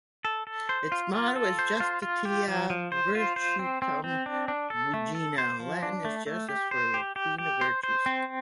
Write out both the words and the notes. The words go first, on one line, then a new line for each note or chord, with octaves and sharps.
Its motto is "Justitia Virtutum Regina", Latin for "Justice is Queen of Virtues".
A4
A4
C5
F4
F4
A4
C5
F4
F4
G4
F3
F3
C5
F4
C5
C4
C4
C4
D4
D4
A4
A3
A4
C5
F3
D4
A3
A3
G4
C5
G4
G4
G4
C5
C5
C4